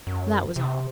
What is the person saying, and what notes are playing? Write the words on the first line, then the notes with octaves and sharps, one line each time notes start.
That was all.
F#2
C3